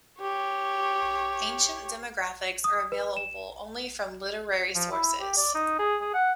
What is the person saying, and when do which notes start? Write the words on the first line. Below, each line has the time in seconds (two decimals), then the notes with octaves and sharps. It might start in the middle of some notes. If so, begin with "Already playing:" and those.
Ancient demographics are available only from literary sources.
0.21 G4 C#5
2.64 D#6
2.92 B4
3.17 E7
4.75 F3
4.92 E4
5.21 G4
5.37 D5
5.55 D#4
5.79 G#4
6.01 G#4
6.14 F#5